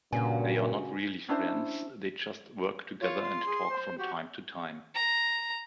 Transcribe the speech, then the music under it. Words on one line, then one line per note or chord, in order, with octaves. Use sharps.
They are not really friends, they just work together and talk from time to time.
G2 A#2 C#3 C#4 F#4 G#5
C#4 D4 E4 C5
F4 C#5
C6
G#4
C5
F#4 G4
A#5